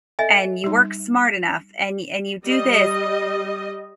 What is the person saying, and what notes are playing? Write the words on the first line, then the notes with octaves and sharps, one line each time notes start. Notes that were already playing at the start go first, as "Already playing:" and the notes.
and you work smart enough and y and you do this,
A4 D#5 E5 G#5
G3 D#4
G3 D#5